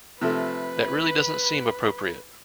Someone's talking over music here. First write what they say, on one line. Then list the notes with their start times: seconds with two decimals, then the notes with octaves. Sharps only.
That really doesn't seem appropriate.
0.21 C3 F3 A3 B4